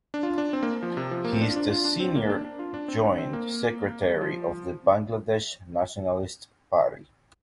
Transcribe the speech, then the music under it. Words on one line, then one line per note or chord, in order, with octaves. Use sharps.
He is the Senior Joint Secretary of the Bangladesh Nationalist Party.
D4
F4
D4
C4
A#3
F3
C3
F3
A#3
C4
D4
F4
D4
F4
D4
C4
A#3
D4
D4
F4
D4
C4
D4
C4
A#3
G3
F3